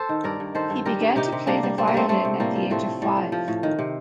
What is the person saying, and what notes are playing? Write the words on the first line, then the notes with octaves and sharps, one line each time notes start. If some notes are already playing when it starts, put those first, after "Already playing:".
He began to play the violin at the age of five.
Already playing: A4 C5
D#3
G2 A#4 D5
G2
D#3 A4 C5
G2
G3 G4 A#4
G2
C3 D#4 G4
C3
G3 A#3 D4
G3
G3 C4
A#3
G3 A3 C4
G3 A3 C4
C3
A2 G3 A#3
F3
A2 A3 C4
A2
A2 G3
F3
F3
A2
D#3
C3